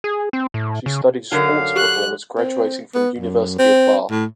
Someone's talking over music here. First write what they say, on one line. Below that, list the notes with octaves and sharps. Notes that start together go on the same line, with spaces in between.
She studied Sports Performance graduating from University of Bath.
G#4
C4
A2
C#3
F#2 D3 F#3 D#4 A#4 F5
G4 F#6
C4
B3
F#2
C4
A2